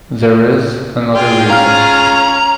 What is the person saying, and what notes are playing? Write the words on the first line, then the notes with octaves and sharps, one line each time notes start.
There is another reason.
F4 G#4 G5
C#4 F5 A#5 F6